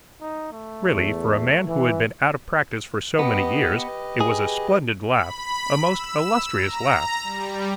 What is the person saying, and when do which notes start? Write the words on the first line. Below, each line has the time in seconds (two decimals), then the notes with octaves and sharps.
Really, for a man who had been out of practice for so many years, it was a splendid laugh, a most illustrious laugh.
0.21 D#4
0.52 A3
0.93 E2
1.67 E3
3.19 B3 G4 B4 D#5
4.21 G#4
5.12 B5
5.83 E6
6.52 A#5
7.23 G3